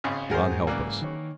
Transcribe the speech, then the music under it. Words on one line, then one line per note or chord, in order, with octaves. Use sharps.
God help us!
G#1 C#3 G#4
G#2 D#3 F#4 G#4 A#4 C5
C#3 E3 F#3 A#3 D5
D#3 C#5